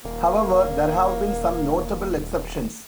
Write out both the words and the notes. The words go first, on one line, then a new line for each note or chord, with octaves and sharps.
However, there have been some notable exceptions.
D#1 A#3